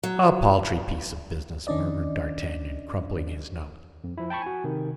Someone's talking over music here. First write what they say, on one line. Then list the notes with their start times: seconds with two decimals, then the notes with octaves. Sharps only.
"A paltry piece of business!" murmured D'Artagnan crumpling his note.
0.03 F#3
1.67 D#3 C#4 D4 D5 D#5
4.04 F2
4.18 F3 E4
4.30 G5 A5 B5 C#6
4.42 F#4 G#5
4.64 C3 D#3